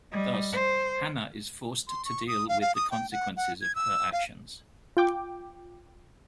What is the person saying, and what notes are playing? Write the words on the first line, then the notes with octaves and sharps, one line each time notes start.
Thus, Hannah is forced to deal with the consequences of her actions.
G3 D#5
C5
C6
C#6
D#6
F5
F5
D#6
G5
F#5
F#5
G#6
E6
F5
F4 G5 D6